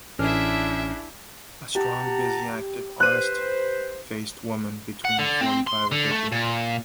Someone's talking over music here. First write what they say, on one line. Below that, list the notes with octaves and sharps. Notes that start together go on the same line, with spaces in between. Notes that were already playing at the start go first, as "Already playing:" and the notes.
A strong, busy, active, honest-faced woman between forty-five and fifty.
A1 C#4 D4 E4 G#4 E5 F6
G4 F#5 A5 A#5
B4 C5 F#6 D#7
F#5
D3
C4
C6
D3
A3
A#2